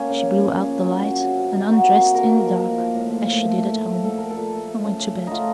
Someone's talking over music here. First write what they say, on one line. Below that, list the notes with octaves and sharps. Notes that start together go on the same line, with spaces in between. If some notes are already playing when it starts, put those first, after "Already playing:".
She blew out the light and undressed in the dark as she did at home and went to bed.
Already playing: A#3 C#4
C#3
C#3
F3
C#3
A#3
F#3
F#3
C3
C3
C3 D#4
A#3 F#4
C3
C3
A#3 A#4
A#3
F3
A#3
F3
A2
A#3
A2
A3
A3
A3
A3
A#2 A4
A3 A#4
A4
A#2
A3
A3
C#3
C#3
C#3
A3 D#4 F4